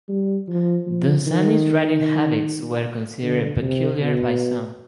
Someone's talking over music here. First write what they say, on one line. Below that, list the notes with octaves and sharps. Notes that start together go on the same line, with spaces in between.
Dunsany's writing habits were considered peculiar by some.
G3
F3
F3
D#3
D3
C3
B2